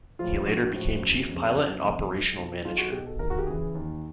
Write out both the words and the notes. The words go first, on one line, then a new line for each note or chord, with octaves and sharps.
He later became Chief Pilot and Operational Manager.
A2 F3 F4
A#1 F#4
A2 F3
F#1
F2 C#3
F#1
F2 C#3
B1
B2
B1 F4
F#4
B2 G4
A4
D#2 A#4
F#4
G4
C#3 E3 G#4
D#2